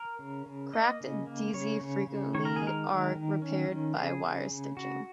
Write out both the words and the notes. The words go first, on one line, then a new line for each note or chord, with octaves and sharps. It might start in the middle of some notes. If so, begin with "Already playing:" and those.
Cracked "deze" frequently are repaired by wire stitching.
Already playing: A#4
C#3
C#3
A#3 D#5
C#3
A#3
C#3 C#5
C#3
C#3
D#3 C#5
A#4
G#4
G#3
A#4
D#3
D#3
C#4
D#3
C#3 G#4
C#3
C#3
C#3 F#4